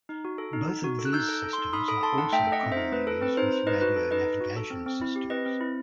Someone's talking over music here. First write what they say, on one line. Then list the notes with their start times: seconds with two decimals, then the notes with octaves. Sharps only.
Both of these systems are also commonly used with radio navigation systems.
0.09 D#4
0.25 F#4
0.38 A4
0.53 D#4
0.69 D#4
0.84 F#4
0.99 A4
1.05 F#6
1.13 D#4 E6 G6
1.29 A4 E6 G6
1.43 A4
1.53 C6 E6
1.59 D#4
1.73 D#4 B5 D#6
1.88 A4 B5 D#6
2.03 A4 A5 C6
2.18 D#4 F#5 A5
2.32 A3 E5 G5
2.47 A4
2.52 D#5 F#5
2.63 C4
2.72 C5 E5
2.77 D#4
2.92 A3 B4
3.07 A4 B4
3.21 C4 B4
3.37 D#4 C5
3.52 D#4 C5
3.67 D#4 B4 D#5
3.81 F#4 B4
3.96 A4
4.11 D#4 B4 D#5
4.27 D#4
4.41 F#4
4.56 A4
4.71 C4
4.86 C4
5.01 E4
5.16 G4
5.30 C4 B4 D#5
5.46 C4
5.61 E4